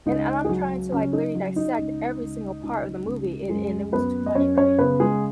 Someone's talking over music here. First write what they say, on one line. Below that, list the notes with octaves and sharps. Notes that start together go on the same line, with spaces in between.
and and I'm trying to, like, literally dissect every single part of the movie and and it was too much for me.
C#2 D#4
G#4
F#3 F#4
C#3 C#4
D#4
F#3 F#4
D#4
C#2
C#2
C#2 D#4
C#2
F#2 G#3 G#4
F#2 B3 B4
D#5
F#2 C#4 C#5
C#4 C#5
C#3 B3 B4
G#3 G#4